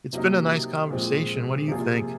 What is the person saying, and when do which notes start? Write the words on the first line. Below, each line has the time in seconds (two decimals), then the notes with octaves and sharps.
It's been a nice conversation, what do you think?
0.13 C3 F#3 A#3 D#4
0.90 A#2 F3 G#3 C4
1.68 C3 F3 A#3 F4 G#4